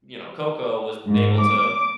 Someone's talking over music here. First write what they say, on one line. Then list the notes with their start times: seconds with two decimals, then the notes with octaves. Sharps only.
you know, Koko was able to
1.08 G#2
1.42 D6